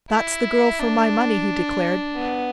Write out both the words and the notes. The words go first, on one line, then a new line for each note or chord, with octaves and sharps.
"That's the girl for my money," he declared.
E4
D4
B3